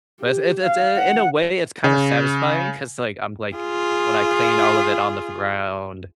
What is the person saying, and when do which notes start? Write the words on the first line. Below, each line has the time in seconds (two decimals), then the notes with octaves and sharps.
But it's it's it's in a way it's kind of satisfying 'cause, like, I'm like, when I clean all of it on the f ground,
0.20 G4
0.63 F5
0.96 F#5
1.84 C#3
3.56 F4 G#4